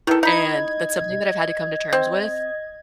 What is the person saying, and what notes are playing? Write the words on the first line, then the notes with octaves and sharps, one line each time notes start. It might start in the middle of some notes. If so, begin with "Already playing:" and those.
And that's something that I've had to come to terms with,
D#3 E4 A4 B4
D#4 D#5 B5 G#6
C4